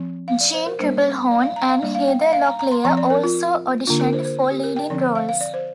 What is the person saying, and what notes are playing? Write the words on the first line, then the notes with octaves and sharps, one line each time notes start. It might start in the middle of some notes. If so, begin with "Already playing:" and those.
Jeanne Tripplehorn and Heather Locklear also auditioned for leading roles.
Already playing: F3 C4
F5
D5
C5
A#4
G3 A#3 D4 C5
D5
F5
A#5
F5
G3 A#3 D4 D5
F5
G5
F5
F5
A#5
A#5
C6
F3 C4 A#5
D5
A#4
F4
D3 A#3 D4 F4
A#4
C5
C5
G4
A#4
G5
D3 F3 C4 D5
C5
F5
F5
D5
C5